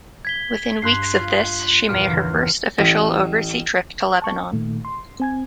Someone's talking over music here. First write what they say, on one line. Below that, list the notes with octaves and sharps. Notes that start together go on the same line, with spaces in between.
Within weeks of this she made her first official overseas trip to Lebanon.
G#6 B6 G7
G2 C6 F#6 C7
F4
E2 A#2 F6 C#7
G1 C#3 E3
A1
A5 C#6
A#2 D#3 A3
C6
C4 G#5 G#6